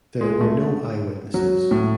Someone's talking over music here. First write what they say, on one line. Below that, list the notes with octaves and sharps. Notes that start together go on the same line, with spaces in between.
There were no eyewitnesses.
G#3
A3
F#3
A2